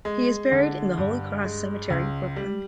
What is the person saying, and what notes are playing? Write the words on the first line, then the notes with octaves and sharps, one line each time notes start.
He is buried in the Holy Cross Cemetery, Brooklyn.
G#3
D3
G2
G#3
C#2
G3